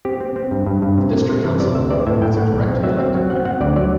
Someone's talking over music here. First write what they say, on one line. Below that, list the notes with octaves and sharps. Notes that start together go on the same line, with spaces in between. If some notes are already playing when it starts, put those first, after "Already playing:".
The District Council of Robe has a directly-elected mayor.
C4 G4
C4
C4
G2
G2
G2
C3
C3
C3
E3
C3 D5
D2 E5
C4 D5
A2 E5
A2 G5
A2 F#5
B1
C4
F#3 E5
C4
F#3
C4 F#5
C4 F#5
D2 D5
F#3 D5